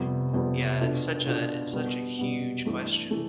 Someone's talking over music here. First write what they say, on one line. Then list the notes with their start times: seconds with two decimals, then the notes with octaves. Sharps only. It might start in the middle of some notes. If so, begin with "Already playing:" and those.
Yeah, it's such a it's such a huge question,
Already playing: F2 C3 G3 B3
0.33 F2 C3 G3 B3
0.81 B2 B3 D4 F4 A4
1.26 B2 B3 D4 F4 A4
1.73 B2 G3 B3
2.18 B2 G3 B3
2.65 G2 E3 A3
3.11 E3 A3